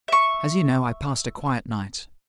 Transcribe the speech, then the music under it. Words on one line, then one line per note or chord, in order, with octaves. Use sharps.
As you know, I passed a quiet night.
E5 C#6